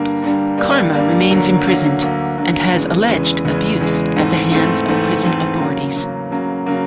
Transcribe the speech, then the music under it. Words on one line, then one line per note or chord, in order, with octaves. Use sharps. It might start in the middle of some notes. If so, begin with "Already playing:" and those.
Karma remains imprisoned and has alleged abuse at the hands of prison authorities.
Already playing: G2 D3 G3 A#3
G2 D3 G3 A#3
G2 D3 G3 A#3
G2 D3 G3 A#3
D2 D3 F#3 A#3
D2 D3 F#3 A#3
D2 D3 F#3 A#3
D2 D3 F#3 A#3
E2 C#3 E3 G#3
E2 C#3 E3 G#3
E2 C#3 E3 G#3
E2 C#3 E3 G#3
G#2 E3 A3 C4
G#2 E3 A3 C4
G#2 E3 A3 C4
G#2 E3 A3 C4
C#3 F#3 A#3
C#3 F#3 A#3
C#3 F#3 A#3
C#3 F#3 A#3